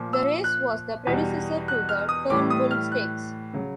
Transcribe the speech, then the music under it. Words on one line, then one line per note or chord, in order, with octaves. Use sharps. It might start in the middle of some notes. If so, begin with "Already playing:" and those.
The race was the predecessor to the Turnbull Stakes.
Already playing: A#2 F3
E6
F#6
E2 B2 G3
F#6
F6
D#6
A2 E3 G3 D6
D#6
F6
F#6
C#3 F#3